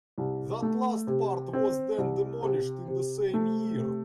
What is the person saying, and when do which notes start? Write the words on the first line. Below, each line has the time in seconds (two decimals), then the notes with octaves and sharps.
That last part was then demolished in the same year.
0.18 C2
0.62 A3
1.07 C3
1.53 C4
1.98 C2
2.43 C3
2.88 C3
3.34 A3
3.78 C3